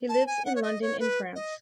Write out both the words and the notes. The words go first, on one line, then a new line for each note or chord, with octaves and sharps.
He lives in London and France.
A5
G#5
F#5
C#5
D#5
C#5
B4
D#5